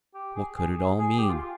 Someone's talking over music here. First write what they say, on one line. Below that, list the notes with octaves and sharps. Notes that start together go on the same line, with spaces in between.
What could it all mean?
G4
G#4
G#4
G#4
G#4
G4
F4
F4